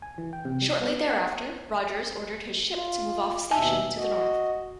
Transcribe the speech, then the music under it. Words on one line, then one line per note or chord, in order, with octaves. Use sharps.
Shortly thereafter Rogers ordered his ship to move off station to the north.
G#5
E3
G5
C3
G3
B3
F#5
F4
D#2 B2 E5 G#5 A5
F#4 D#5